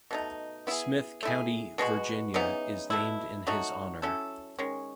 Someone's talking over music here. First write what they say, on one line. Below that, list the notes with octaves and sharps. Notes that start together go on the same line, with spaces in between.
Smyth County, Virginia is named in his honor.
B2 A3 D#4
B3 E4 G#4
A3 E4 G#4
B2 G#3 B3 F#4
C#3 E3 B3 D#4
B2 A3 E4
F#3 A3 D#4 F#4
F#3 C#4 E4 A4
D#3 G#3 C#4